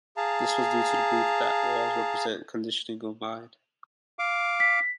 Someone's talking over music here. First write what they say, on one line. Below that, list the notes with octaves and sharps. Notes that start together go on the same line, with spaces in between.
This was due to his belief that walls represent conditioning of mind.
G#4 F5 A5 A#5
F5 D6
B6